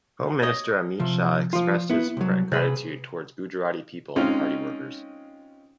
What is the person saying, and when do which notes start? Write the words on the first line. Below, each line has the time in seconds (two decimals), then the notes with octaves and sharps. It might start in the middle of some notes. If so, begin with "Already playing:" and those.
Home Minister Amit Shah expressed his gratitude towards Gujarati people and party workers.
0.42 C#5 D#5
1.00 C3 F3
1.53 F3 F4
1.90 B3 E4
2.17 C2 F#3
2.52 C3 G#4 B4
4.16 G#3 C4 C#4 D#4 F4